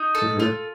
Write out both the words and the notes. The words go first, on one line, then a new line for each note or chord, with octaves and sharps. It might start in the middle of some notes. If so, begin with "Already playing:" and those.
For sure.
Already playing: D#4
A4
F4